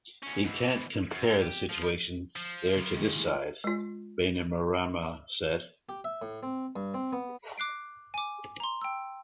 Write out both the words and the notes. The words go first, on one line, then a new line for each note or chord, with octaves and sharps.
He can't compare the situation there to this side, Bainimarama said.
E2 C#4
G#2 E3
F#2
G4
F3
F3
F#2 C#3 F3
G#2 D#3
E3 G#3 A3
G#3 F4
G4
E5
A2
C4
G2
C4
B3
D6 F#6 C7 D7
G#5 D6
A#5 C6
G5 E6